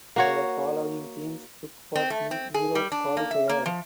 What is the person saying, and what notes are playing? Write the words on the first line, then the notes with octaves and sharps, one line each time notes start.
The following teams took part in Europe qualifier.
A#3 F#4 C#5
C4
A3
C4
G#4
G3
D4
A#3
E5
A#3
F3